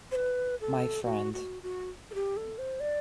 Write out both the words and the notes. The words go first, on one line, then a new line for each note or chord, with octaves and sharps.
My friend.
C5
B4
A4
F#4
F#4
F#4
A4
G4
A4
C5
D5